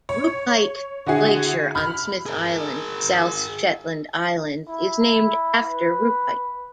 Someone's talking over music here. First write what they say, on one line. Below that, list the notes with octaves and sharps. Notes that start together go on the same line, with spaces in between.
Rupite Glacier on Smith Island, South Shetland Islands is named after Rupite.
C#5
D3 E4 F#4 G#4
B5 F6
G#4 A#4
E4
B4